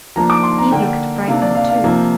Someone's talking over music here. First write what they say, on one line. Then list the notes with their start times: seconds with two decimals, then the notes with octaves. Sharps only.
"He looked frightened too."
0.16 F3 A#3 D4 A#5
0.30 D6
0.43 C6
0.58 A#5
0.71 D3 A#3 D4 G5
1.28 C3 A#3 D4 F5
1.42 D5
1.55 F5
1.69 F5
1.84 C3 F3 A#3